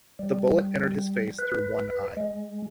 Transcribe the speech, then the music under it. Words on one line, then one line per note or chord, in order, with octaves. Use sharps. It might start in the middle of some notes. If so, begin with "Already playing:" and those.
The bullet entered his face through one eye.
G3
B4
G#3